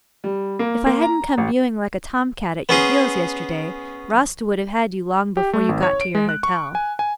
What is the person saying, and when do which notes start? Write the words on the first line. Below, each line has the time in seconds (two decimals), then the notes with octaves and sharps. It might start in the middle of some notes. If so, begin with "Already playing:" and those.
If I hadn't come mewing like a tom-cat at your heels yesterday, Rasta would have had you long before you got to your hotel.
0.24 G3
0.59 A#3
0.86 A#3
1.03 A#5
1.38 A1
2.69 B3 C#4 G#4 C6
5.37 G4
5.53 A3
5.69 G#1
5.83 C#5
6.01 D7
6.15 G#3
6.29 F#6
6.43 C#6
6.75 G#5
6.99 G#5